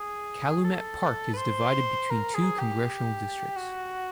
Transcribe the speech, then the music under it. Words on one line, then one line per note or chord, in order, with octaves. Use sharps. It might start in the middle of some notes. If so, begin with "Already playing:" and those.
Calumet Park is divided between two congressional districts.
Already playing: G#4
A4
B4
C5
A#4
G#4
G4
F#4